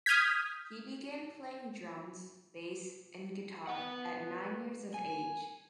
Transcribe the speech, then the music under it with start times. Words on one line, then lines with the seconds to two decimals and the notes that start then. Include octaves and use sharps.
He began playing drums, bass and guitar at nine years of age.
0.06 D#6 F6 G6 G#6 B6
3.67 B4 F#5
4.94 G#5